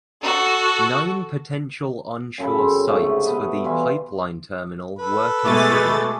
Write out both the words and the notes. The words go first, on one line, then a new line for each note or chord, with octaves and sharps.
Nine potential onshore sites for the pipeline terminal were considered.
F#4 A4
F#2 C#3 A4 B5
C4
G#2 C#3 A3 C#4
C3
B2 A3 B4 D#5
E3 G3 F4 E5
A4 B4 B5
B2 G#3 A3 G#5 C#6 D6 A6